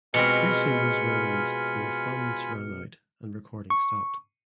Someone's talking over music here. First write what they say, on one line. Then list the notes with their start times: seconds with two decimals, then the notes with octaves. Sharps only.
Two singles were released before funds ran out and recording stopped.
0.14 B2 G#3 C4 F4 G#5 B5 F6 C#7
3.70 C#6